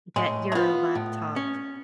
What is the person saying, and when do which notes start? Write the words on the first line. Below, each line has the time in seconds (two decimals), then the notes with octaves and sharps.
get your laptop
0.16 A2 G#3
0.52 A3
0.55 B3 F4
0.95 A2
1.36 C#4